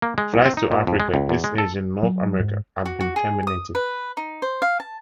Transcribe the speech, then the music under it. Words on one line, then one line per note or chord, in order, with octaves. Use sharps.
Flights to Africa, East Asia, and North America had been terminated.
A#3
G#3
C2
C4
D#4
A#2
F2
G#3
C#2
E2
G#3
A4
F#3
G#2
F#4
F#4
G#4
D#6
B4
D#4
C5
F5
A5